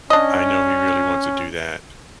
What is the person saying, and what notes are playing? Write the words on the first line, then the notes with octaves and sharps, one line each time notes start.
I know he really wants to do that,
C#4 D4 D#5